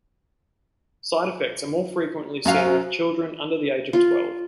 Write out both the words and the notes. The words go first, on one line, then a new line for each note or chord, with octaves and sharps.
Side effects are more frequently seen with children under the age of twelve.
F#2 F#4 C5 F5
F4